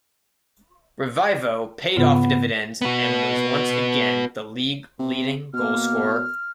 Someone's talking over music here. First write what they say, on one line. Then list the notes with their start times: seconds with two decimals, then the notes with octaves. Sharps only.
Revivo paid off dividends and was once again the league leading goal scorer.
1.97 G#2 C#3 B3 F4
2.82 B3 F#4
4.99 C3
5.53 B2 A#3 F6